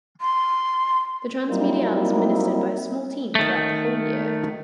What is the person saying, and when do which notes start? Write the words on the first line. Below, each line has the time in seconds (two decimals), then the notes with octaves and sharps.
The transmediale is ministered by a small team throughout the whole year.
0.21 C6
1.50 F#3 G3 A#3 C4 D#4 E4
3.35 D#3 A3